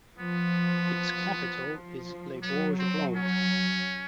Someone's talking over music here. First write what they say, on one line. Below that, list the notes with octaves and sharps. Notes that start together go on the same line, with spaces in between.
Its capital is Les Borges Blanques.
F3 B3
F3
F#3 B3
C4
C#4